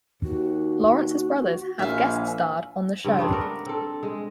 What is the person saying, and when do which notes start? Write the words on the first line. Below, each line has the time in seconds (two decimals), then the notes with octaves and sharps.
Lawrence's brothers have guest starred on the show.
0.24 D#2 F#4
1.79 A#1 E5 F5 G#5
3.04 G2 C#3 C4
3.17 A3 B3 C4 D4
3.32 B3 A#4
3.66 C4 A4
4.03 G#3